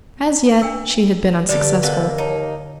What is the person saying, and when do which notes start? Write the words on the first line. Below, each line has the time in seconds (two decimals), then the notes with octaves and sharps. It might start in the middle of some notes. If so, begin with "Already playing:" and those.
As yet she had been unsuccessful.
0.62 D4 G5 E6
1.49 G2 D3 G3 G4 A4 D5
1.83 D#2 C3 A#3 B3 A4
2.18 D#4 C#5 A5